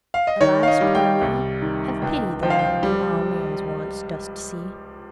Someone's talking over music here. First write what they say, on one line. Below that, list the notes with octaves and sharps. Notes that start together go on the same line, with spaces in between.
Alas, poor me! Have pity, Thou, who all man's wants dost see.
F5
D#5
D#3 C#5
F5
D#5
G3
G5
C2
D#3
C#2 G5
F3 G5
F5
G5
G3